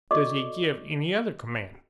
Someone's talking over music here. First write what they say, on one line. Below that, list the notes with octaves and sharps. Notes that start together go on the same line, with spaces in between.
Does he give any other command?
F#4 A4 D5 D#5 C#6 D6